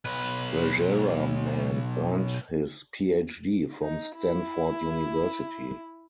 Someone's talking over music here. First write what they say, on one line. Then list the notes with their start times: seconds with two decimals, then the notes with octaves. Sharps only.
Rajaraman earned his Ph.D. from Stanford University.
0.05 B1 B4
3.80 D#4
4.16 E4